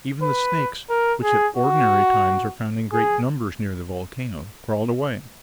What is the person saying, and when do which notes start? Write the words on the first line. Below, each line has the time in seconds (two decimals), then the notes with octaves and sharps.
Even the snakes, which at ordinary times are found in great numbers near the volcano, crawled away.
0.22 B4
0.89 A#4
1.23 G#4
1.57 F#4
2.92 G#4